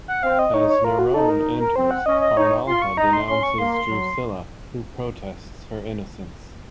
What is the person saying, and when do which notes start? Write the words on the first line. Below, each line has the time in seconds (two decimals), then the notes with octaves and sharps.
As Nerone enters, Arnalta denounces Drusilla, who protests her innocence.
0.08 F#5
0.23 C4 F5
0.39 D#5
0.53 D#4 C#5
0.69 C#5
0.84 F4 A#4
0.99 F#4
1.14 D#4 A4
1.30 A#4
1.60 A#4
1.76 C4 C5
1.91 F#5
2.06 C#4 D#5
2.21 D#5
2.36 D#4 C#5
2.67 F4 C6
2.82 C#6
2.97 D#4 A#5
3.13 C6
3.27 C#4 C6
3.43 C#6
3.58 A#3 C6
3.73 C6
3.89 F#3